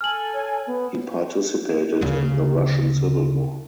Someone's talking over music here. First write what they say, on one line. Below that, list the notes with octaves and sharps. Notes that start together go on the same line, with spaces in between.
He participated in the Russian Civil War.
A4 G#5 F6 F#7
C#5
B3
D2 C#3